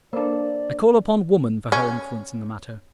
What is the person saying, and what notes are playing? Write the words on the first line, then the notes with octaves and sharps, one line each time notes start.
I call upon woman for her influence in the matter.
A#3 D4 A4 C5 D5
C#4